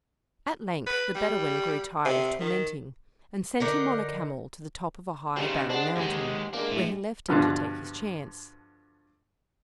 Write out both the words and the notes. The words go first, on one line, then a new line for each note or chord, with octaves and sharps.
At length the Bedouin grew tired of tormenting, and sent him on a camel to the top of a high barren mountain, where he left him to take his chance.
B4
G3
C3
D#3
D3 D#4 A#4
C#3 G3 C4 C#4 D#4
D4 G#4 C5 F#5
D#2 G#3 G4 A#5
G#3 A#3 D4
A2
G2 B2 D3 F3